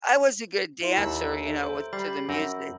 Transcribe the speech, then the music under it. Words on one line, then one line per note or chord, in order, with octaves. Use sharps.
I was a good dancer, you know, with to the music.
E4 E5 C6
D#2 B5 E6
A4 C#5 E5
C5 E5 A#5
G3 B5 C7
F#2 E6 G6 A#6